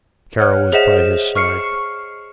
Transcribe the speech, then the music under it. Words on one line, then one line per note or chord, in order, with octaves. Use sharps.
Kara was by his side.
C#5 F#5 F6 F#6
G#4 C5 D#5 E5 F#5 E7
C#6 F6 C7 C#7